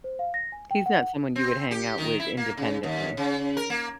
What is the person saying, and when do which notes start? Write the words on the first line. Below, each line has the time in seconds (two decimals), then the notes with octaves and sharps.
He's not someone you would hang out with independently.
0.04 C5
0.19 F5
0.34 A#6
0.52 G#5
0.71 G5
0.86 F#5
1.36 C4
1.71 G4
1.98 D#3
2.20 E4
2.37 A#3
2.57 C#3
2.83 D#2
3.17 C#3
3.57 A#4
3.70 A#3